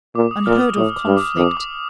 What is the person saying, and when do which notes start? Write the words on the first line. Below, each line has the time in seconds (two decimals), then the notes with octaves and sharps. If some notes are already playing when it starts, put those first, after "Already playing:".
Unheard-of conflict!
0.15 A#2 D6
0.31 D#6
0.46 A#2 F6
0.61 D#6
0.76 A2 D#6
0.96 D6
1.06 G2
1.17 D6
1.36 F2 D#6
1.57 D6